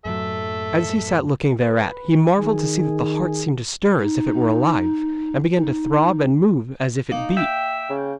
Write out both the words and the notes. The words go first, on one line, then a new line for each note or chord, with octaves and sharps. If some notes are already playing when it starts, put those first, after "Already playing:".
As he sat looking thereat, he marvelled to see that the heart seemed to stir as if it were alive, and began to throb and move as if it beat.
F#2 A2 F#3 A4 E5
B4
D#3 G#4
D#4
D#4
A#3 D#4
E5 G5
C#3